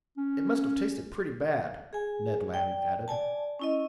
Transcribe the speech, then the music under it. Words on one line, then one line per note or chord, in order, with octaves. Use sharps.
"It must have tasted pretty bad," Ned Land added.
C#4
G#4 G#5
D5 G5
D5 G#5 A5
C#4 E4 D#5